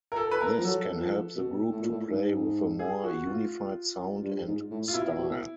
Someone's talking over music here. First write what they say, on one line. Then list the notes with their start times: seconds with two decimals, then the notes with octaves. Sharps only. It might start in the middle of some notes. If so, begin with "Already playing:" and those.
This can help the group to play with a more unified sound and style.
0.12 A#4
0.16 A4
0.31 B4
0.41 A#4
0.59 F3
0.64 F#3 A4
1.00 F3
1.36 B2
1.72 A2
1.81 A#2
1.92 A2
2.08 G#2
2.79 G#4
3.04 F#4
3.27 F4
4.23 G2
4.46 G#2
4.71 A2
4.88 F4
4.94 B2 E4
5.18 B2